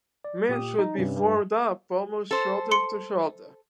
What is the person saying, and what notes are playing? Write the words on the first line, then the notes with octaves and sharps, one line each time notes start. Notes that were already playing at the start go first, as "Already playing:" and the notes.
Men should be formed up almost shoulder to shoulder.
D5
A#2 G4 D#6
D#4
G2 C3 G3 C#4
G2
A4 C5
C6 C#7